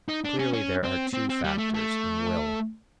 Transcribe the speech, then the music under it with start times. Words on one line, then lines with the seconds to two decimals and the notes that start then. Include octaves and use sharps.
Clearly there are two factors in will.
0.09 D#4
0.25 D4
0.39 C#4
0.53 C#4
0.84 C4
1.13 C4
1.29 C4
1.44 G3
1.58 A3
1.74 A3